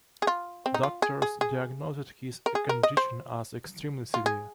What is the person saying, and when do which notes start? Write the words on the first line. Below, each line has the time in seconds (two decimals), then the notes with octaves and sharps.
Doctors diagnosed his condition as "extremely severe".
0.22 G#4
0.27 F4
0.66 C4
0.74 D#4
0.83 F4
1.02 G#4
1.22 G#4
1.41 G#4
2.46 A#4
2.55 G#4
2.69 A#4
2.83 D#5
2.97 C5
4.14 F4
4.26 G#4